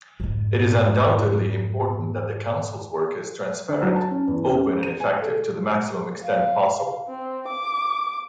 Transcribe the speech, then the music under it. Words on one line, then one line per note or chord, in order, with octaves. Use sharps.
It is undoubtedly important that the Council’s work is transparent, open and effective to the maximum extent possible.
F2 G#2
D3
F#3
A5
C#4
E2
C#4
D#7
G#5
A4
F5
C4
D6